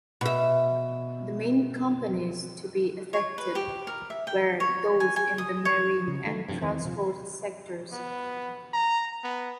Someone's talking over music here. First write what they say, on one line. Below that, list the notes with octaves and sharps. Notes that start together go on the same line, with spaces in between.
The main companies to be affected were those in the marine and transports sectors.
B2 E5
C#5
B4
G4
A#4
E5
G5
C#5
G#5
G#5
D#6
C#5
C#3
D#3 A3
G2 C3 D#3 F3
E2 D#3 E3 C4
D#1 C3 F3
B3
A#5
B3